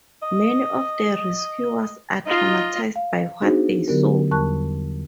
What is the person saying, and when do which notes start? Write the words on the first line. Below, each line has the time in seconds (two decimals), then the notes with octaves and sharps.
Many of the rescuers are traumatized by what they saw.
0.23 D#5
2.26 D#4 F4 D#5
2.96 F5
3.42 B3 D4 D#4 F#4 G#4 C5
3.88 D3 F#3 B3 G4 A#4
4.31 E2 G3 A#4 A5 C#6 F#6